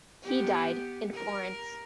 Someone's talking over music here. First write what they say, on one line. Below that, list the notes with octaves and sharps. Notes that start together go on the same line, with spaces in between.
He died in Florence.
B3 G4
A#4